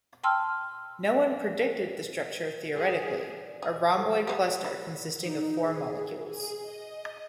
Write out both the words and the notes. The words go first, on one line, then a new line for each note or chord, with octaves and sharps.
No one predicted the structure theoretically: a rhomboid cluster consisting of four molecules.
G5 A5 C6 E6 F6
G#4
D5
G#4
G4 A4 C5
B3 C4 G4 G#4
E4
D#4
G#4
G#4
D#5